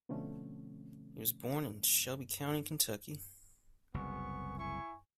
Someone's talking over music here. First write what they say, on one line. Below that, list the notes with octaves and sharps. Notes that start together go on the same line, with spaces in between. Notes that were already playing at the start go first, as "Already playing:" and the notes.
He was born in Shelby County, Kentucky.
B2 D3 F3 A3 C4 C#4
F#1 C2 B3 G#5 C#6
E4 G#5 C#6